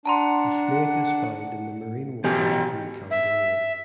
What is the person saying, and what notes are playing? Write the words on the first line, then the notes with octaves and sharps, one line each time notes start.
The snake is found in the marine waters of New Caledonia.
D4 F#5 A5 A#5 C6
B2 E3 G4 G#5
E5